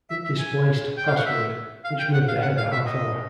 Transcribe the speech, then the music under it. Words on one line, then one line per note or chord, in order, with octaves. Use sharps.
It displaced "Password", which moved ahead a half-hour.
E5
E5
G#5
G5
F5
F#5
E5
F5
G5
F#5
F5
F#5
F5
E5
D#5